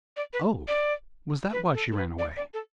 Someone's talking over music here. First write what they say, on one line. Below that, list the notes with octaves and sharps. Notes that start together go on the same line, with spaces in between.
"Oh! Was that why she ran away?"
D5
B4
D5
B4
A4
A4
B4
D5
D5
A4